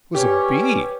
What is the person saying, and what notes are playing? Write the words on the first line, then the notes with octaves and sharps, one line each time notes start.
It was a bee.
G3 C#4 G4 B4 C#5 G5 D6